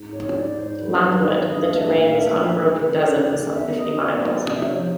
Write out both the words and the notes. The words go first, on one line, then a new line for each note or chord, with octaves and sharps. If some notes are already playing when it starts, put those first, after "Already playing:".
Landward, the terrain is unbroken desert for some fifty miles.
Already playing: G#2
G#2 C#5
G#2 D5
G#2 C5
F#3 B4
G2
D#3 B4
G2 D#5
F5
A3 E5
F5
A#2 E5
F5
A3 E5
A#2 E5
G#3
B4
C#3 C5
C#5
C#3 D5
C#3
B3 E5
D#4 D#5
D#5
B3 D5
D#4
C3 D#5
E5
F3 C#5
C5